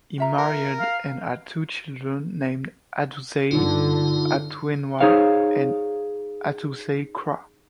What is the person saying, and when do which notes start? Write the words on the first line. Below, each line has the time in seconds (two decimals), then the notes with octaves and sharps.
He married and had two children named Adusei Atwenewa and Adusei Kra.
0.18 F4 E5 A#5
0.38 A#4
0.80 F5
3.51 G2 D3 D#4 F4
5.01 D#4 G#4 C5 C#5 F5